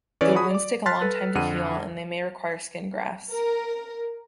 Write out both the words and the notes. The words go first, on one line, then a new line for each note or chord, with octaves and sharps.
The wounds take a long time to heal and they may require skin grafts.
E3 C#4 G#4 B4 C#5 D5
F#4 G#4 B5 D#6
D5 D6
A5 C6 F6 F#6 A6 B6
A4 B4
F2 D3 F#5 D#7
A#4